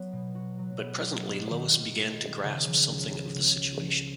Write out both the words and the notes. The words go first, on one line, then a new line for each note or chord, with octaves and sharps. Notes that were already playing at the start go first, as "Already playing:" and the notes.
But presently Lois began to grasp something of the situation.
Already playing: F#3 B3
B2
F#4
F#3
B3
G#3
B3
D#3
F4
G#3
B3
C#3
F3
C#2
B3
C#3
F3
F3